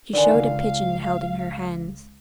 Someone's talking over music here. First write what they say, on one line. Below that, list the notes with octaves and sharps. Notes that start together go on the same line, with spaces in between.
She showed a pigeon held in her hands.
D3 D#3 D5 G#5
C#2 F5